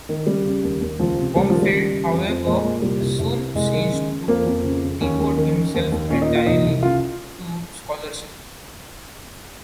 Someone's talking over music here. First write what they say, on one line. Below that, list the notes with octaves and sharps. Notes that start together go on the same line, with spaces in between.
Blomfield, however, soon ceased to devote himself entirely to scholarship.
D#3
C#3 G3
C#3
D#2
D#2
C#2 F3
C3
C#2 G3
D#3 F3
G3
C#3
C#3
F2
F2
A#2 G#3
A#2
C2 G3
C2
C2
C3
C2 G#3
D#3
C#3
C#3
F2 A#3
F2
C#3
C#3
D#2 C#4
D#2
D#3
D#3
D#2
D#2
A#2 C#4
D#4
A#2
F4
C2 D#4
C2
C#3 F4